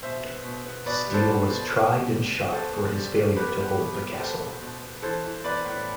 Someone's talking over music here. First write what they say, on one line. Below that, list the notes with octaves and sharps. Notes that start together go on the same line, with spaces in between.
Steele was tried and shot for his failure to hold the castle.
B2 C5 E5
B3
B2
B3
B2 B4 D5
G3
A4 C5
G3
B2
B3
B2
G3
B3
B3 A4 C5
B2
G3
G3
B3 G4 B4
G3
B2
B3
G3 A4 C5
B2
B2
B3
E3 A4 C5
E3
B3 B4 D5
A2